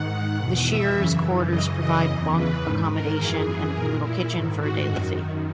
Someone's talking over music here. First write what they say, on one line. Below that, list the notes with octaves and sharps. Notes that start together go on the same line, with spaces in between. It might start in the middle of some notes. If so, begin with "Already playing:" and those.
The shearers' quarters provide bunk accommodation, and a communal kitchen for a daily fee.
Already playing: G#2 D#3 F#5
E2 B2
E5
F#2 C#3 E3
F#2 C#3 E3 D#5
D#5
E2 C#3 E3
B4
G#2 D#3
A#4
F#2 E3 G#4
A#2 A#4
E4
G#2 D#3
F#4
F#2 D#3